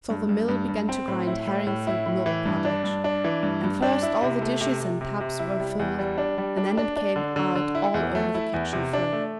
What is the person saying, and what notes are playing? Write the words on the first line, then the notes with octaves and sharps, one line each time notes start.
So the mill began to grind herrings and milk pottage, and first all the dishes and tubs were filled, and then it came out all over the kitchen-floor.
G2
G2
G2
G2
C4
A2
E4
A2
A2
E4
A2
E3
G2
D4
G2
D4
E3
G2
G2
D4
E4
C3
A3
C3
C3
C3
C3
E4
G3
E2
G3
D4
G3
D4
D4
D4
D3
D3
D3
E4
E2
A3
E4
E2
C3
D4
A3